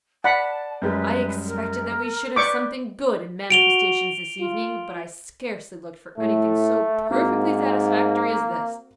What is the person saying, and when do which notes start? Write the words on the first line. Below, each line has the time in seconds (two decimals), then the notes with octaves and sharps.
I expected that we should have something good in manifestations this evening, but I scarcely looked for anything so perfectly satisfactory as this.
0.24 D5 F#5 A5 B5
0.82 F#2 G3 G#3 B4
1.47 A#4
2.36 B4 D5 C#6 D6 E6 G6 B6
3.50 F#4 D7 F7 G7
4.41 F4
6.18 A2 A3
7.11 G#2 A#3 C4 F#4 A#4